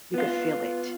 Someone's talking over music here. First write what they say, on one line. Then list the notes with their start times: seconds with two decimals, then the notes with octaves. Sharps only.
you could feel it.
0.14 B3 F4